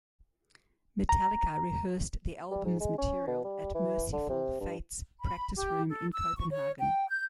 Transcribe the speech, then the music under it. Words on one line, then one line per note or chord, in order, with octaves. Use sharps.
Metallica rehearsed the album's material at Mercyful Fate's practice room in Copenhagen.
A#5
G3
G#2
G#3
C#4
B2
G3
E3
D3
C3
G2
B5
G4
A4
E6
C#6
C#5
G5
G6